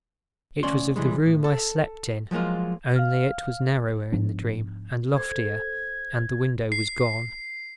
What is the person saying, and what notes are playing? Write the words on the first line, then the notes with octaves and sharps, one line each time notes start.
It was of the room I slept in, only it was narrower in the dream, and loftier, and the window was gone.
D2 C#4 D5 C6
C3 E3 G3 G#3
A2
A4
F3 F#3 G#3 A#3 F4
F5 F6
G#2 F3 B3 D4
A4 C5 G#6
C7